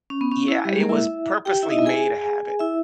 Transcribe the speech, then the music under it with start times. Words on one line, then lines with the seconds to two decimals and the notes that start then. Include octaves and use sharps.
Yeah, it was purposely made a habit.
0.10 C#4
0.21 B3
0.31 C#4
0.48 E4
0.64 G3 G4
0.73 G#3 G#4
0.80 A#3 A#4
0.89 E4 E5
1.45 G4 G5
1.63 E4 E5
1.70 D#4 D#5
1.78 E4 E5
1.86 G#4 G#5
2.59 E4 E5